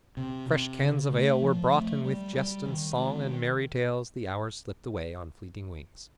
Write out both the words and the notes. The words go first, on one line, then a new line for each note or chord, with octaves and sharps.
Fresh cans of ale were brought, and with jest and song and merry tales the hours slipped away on fleeting wings.
C3
C3
C#3
A3
F3
A3
G3
G3
D#3
G#3